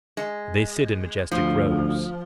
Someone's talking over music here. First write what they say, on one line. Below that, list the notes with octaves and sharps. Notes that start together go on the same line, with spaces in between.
They sit in majestic rows.
G#3
D2 F3